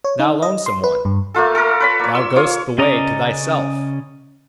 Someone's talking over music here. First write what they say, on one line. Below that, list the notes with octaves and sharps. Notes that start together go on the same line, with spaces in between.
Thou lonesome one, thou goest the way to thyself!
C#5
D#4
D#5
C6
B4
G2
A3 A#3 F4 A4
A4 A#4
B4 C#5 B5
A#3 C#5
E6
F4 C#5 F5
C#3 C#4 D5 D#5 A#5